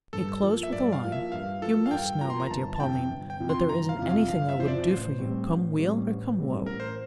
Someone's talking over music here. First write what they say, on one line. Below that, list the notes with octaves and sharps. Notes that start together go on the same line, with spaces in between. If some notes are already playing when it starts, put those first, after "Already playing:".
It closed with the line, "you must know, my dear Pauline, that there isn't anything I wouldn't do for you, come weal or come woe."
G2 A4
F3 A#3
E5
G2 D5
F5
F3 A#3
E5
G2 F5
F3 A#3 A4
F5
G2 G5
F3 A#3 A#5
C6
A#5
G1 A5
A5
F2 C3 F3 G5
G1
G5
F2 C3 F3
C6
G1 A#5
F5
F2 C3 F3
F5
G1 F5
E5
F2 C3 F3 C5
D5
A1 C5
A2 G3 C4
A1
A2 G3 C4
A1
A2 G3 C4
A1 A#4
C5